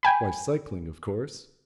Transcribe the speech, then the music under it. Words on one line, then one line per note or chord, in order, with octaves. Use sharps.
"Why, cycling, of course."
G5 G#5 B5